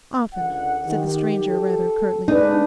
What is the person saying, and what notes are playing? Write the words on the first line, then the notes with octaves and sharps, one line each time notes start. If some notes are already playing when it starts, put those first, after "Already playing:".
'Often,' said the stranger rather curtly.
C#2 D3 F#5
D#3 G4
A4
G#3 D4 D#4 B4